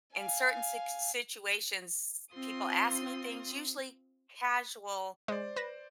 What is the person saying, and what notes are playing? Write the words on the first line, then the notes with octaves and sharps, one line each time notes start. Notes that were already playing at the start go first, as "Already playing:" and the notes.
in certain sics situations people ask me things Usually casual
F5 G#5
C4 F4 C6 D#6
G#3 C5 D5
B4 A#6 E7